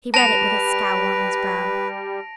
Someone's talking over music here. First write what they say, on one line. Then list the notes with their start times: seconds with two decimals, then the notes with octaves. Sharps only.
He read it with a scowl on his brow.
0.14 G3 B4 A5 A#6 D7 F7